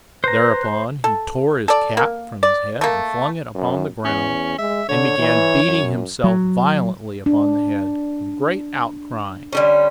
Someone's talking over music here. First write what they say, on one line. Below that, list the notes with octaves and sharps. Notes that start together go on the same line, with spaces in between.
Thereupon he tore his cap from his head and flung it upon the ground, and began beating himself violently upon the head with great outcrying.
B4 C5 A#5
A4
A4 D5
A#3
D5
A3 A#3
F#2
E2 C#4
G#3 E5
D3 C#5
E3
F#2
F#3
D4
D3 G3 C#4